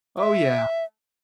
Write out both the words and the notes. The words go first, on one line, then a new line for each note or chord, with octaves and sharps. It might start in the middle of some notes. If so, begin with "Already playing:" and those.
Oh, yeah,
E5